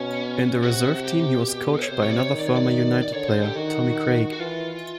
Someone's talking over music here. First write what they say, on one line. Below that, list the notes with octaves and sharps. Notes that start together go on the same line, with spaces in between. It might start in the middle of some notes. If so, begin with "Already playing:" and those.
In the reserve team he was coached by another former United player, Tommy Craig.
Already playing: B2 C#4
C3 F#4
G4
B2
C#5
C3 C5
C#5
D5
C#5
D#3
D5
C#5
D5
D5
D3 C#5
C5
G4
D#3 F#4
F#4
E3 F4